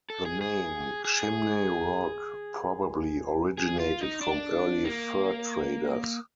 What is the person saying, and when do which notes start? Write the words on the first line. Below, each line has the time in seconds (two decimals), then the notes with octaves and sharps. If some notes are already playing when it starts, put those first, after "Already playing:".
The name "Chimney Rock" probably originated from early fur traders.
0.10 A4
0.25 G#4
0.41 G#4
1.05 G#4
3.58 G#4
3.79 F4
4.01 D#4
4.21 D4
4.85 A#3